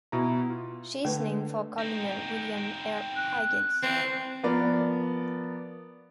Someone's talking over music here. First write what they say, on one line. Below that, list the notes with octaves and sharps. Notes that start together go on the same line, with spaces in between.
She is named for Colonel William R. Higgins.
B2 E4 A#5
F4
D3 A3 B4
C4 D#4
F#6
E3 C4
F3 B3 A#4 D5